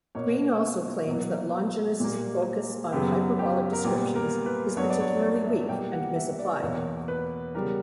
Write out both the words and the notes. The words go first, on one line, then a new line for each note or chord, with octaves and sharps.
Greene also claims that Longinus' focus on hyperbolical descriptions is particularly weak, and misapplied.
B2 A#3 C#5
B2 F#3 A#3
A#2 G3 A#3
F#2 C#3 F#3 B3 G4
G4
A#4
A#2 G3 B3 G4
A#4
B4
G2 F#3 B3 C#5
D5
C#5
E5
B2 G3 A#3 G5
F#5
E5
D5
E2 B2 A#3 C#5
B4
C#3 G3 B3 A#4